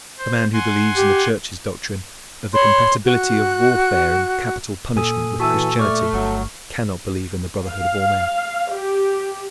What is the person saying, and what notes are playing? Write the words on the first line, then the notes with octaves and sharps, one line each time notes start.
The man who believes in the Church's doctrine of the compatibility of warfare and capital punishment with Christianity cannot believe in the brotherhood of all men.
C5
F#5 G#5 C6
G4
C#5 B5 C6
F#4 F#6
A#2 A4 G#5 D#6
E3 F#4 A4 G#5 E6
A3 D5 C#6 F6
G1 F#3
F5
G4